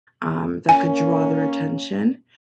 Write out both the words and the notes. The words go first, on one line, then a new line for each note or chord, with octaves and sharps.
um, that could draw their attention.
A#3 C#4 G#5